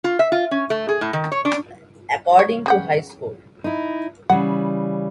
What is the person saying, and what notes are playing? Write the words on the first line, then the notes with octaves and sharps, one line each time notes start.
According to High Score!
F4
E5
F4
C#4
A3
G#4
A2
D#3
C#5
D4
C#5
C#3 G4 F#5
D#4 E4
C#3 E3 G3 F#5